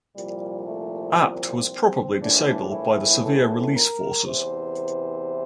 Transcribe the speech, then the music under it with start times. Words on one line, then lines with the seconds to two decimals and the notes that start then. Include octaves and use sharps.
Apt was probably disabled by the severe release forces.
0.15 C2 A#2 F3 G3
0.67 A3
1.18 C4
2.21 A#1 A2 E3 D4
2.72 E4
3.24 A4
3.75 A#4
4.26 E2 C3 E3 C5